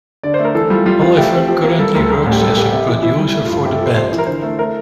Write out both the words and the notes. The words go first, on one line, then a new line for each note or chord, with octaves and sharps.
Oliver currently works as a producer for the band.
D3 D5
C5
A3
A#4
E3 A4
G3 F4
G3 F4
C4 F4
A3 G4
C4
F3 G4
A#3
G3 A4
D2 A#4
A4
G3 A#4
A1
G4
G3 A4
A#3 G4
C3
E3
E3 E4
G3
A3
G2 F4
C3 G4
A4
F3 C5
C3 C5
E3
A#4
D3 C5
A3
A3 A#4